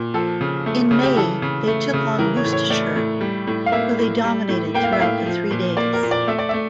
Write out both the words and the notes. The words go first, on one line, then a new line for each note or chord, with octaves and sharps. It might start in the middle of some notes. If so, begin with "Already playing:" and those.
In May they took on Worcestershire, who they dominated throughout the three days.
Already playing: A#2
F3 A4
C#3
A3
C#3
G4
E3 A4
C#3
A3
C#3
E3 A#4
C#5
A2
C#5
A3 D5
A2
G3
A2
F5
A#3 E5
A2
G3
A2
A#3 G5
F5
E5
A2 F5
F3
A#2
A#3 D5
A#4
A#2
D5
A3 E5
D5
A3 E5